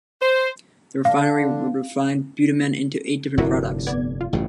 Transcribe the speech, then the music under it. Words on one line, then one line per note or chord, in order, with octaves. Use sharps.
The refinery would refine bitumen into eight different products.
C5
D3 D4 F5
F1 G2 D3 E4 F#4 A#4
B3 D5 G#6
F4
A1 G2 C#3